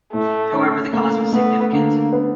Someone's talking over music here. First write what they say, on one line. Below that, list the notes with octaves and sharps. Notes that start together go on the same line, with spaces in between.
However, the cost was significant.
A2 A3
C#4
A3 A#3
A3 B3
D3 A#3
B3